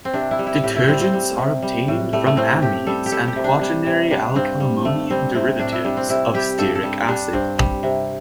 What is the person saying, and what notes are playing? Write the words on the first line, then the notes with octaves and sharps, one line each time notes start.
Detergents are obtained from amides and quaternary alkylammonium derivatives of stearic acid.
C4
C3 D4
E4
G3
E4
A2 G4
E4
G3 C4
C4
G3
C3
G3
A2
G3 A3
A3
A2 C4
A2 G4
G3 A4
G4
G3 A4
G4
C3
D4
G3
C3
G3 D4
G2 C4
G3
G2 A3
G3 C4
C3 C4
A2 D4
E4
G3 D4
C4
C3 E4
G3 G4
G2 A4
A4
G3
G3 D4
G2 C4
G3
C3